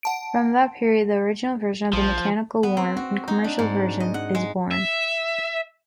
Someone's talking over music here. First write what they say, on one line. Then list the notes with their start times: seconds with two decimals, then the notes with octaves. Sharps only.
From that period, the original version of “Mechanical Worm” in commercial version is born.
0.03 F#5 A5 D7
1.93 A#1 F3
2.63 B3
2.77 C4
2.97 F#4
3.28 D#4
3.44 D4
3.59 G#2
4.00 D#5
4.14 F#5
4.35 G#3
4.71 E5